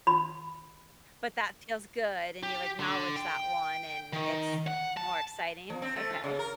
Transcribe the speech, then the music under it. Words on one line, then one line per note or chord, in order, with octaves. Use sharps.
But that feels good, and you acknowledge that one, and it's more exciting? Okay.
B5
G4
D3
G5
D#3
F#5
A5
F3
C4
A3
F4
C#3
A#4